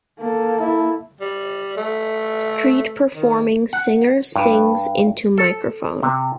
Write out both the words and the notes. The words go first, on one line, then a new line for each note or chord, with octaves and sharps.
Street performing singer sings into microphone.
A#3 A4
E4
G3
A3
D#3
F#5
G2
A4
C3